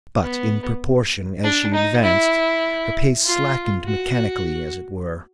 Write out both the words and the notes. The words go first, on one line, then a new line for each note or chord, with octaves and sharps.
But in proportion as she advanced, her pace slackened mechanically, as it were.
B3
D4
D#4
E4
F4
F#4